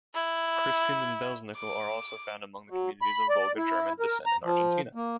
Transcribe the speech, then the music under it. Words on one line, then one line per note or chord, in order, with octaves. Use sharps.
Christkind and Belsnickel are also found among communities of Volga German descent in Argentina.
E4
D6
F#3
B5
D5
E4
A#4
A#5
F3
A#3